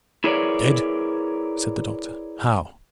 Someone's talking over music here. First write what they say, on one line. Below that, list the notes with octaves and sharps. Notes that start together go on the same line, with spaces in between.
"Dead!" said the doctor, "how?"
E4 G#4 A#4 B4 C#5 D5